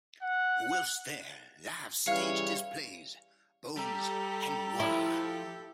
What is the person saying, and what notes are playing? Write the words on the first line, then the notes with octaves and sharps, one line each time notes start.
Whilst there, Live staged his plays, "Bones" and "Noir".
F#5
C#3 E3 G3 E4 C#5 F5 F6
G3 G4 A4 A#5
F3 E4 C5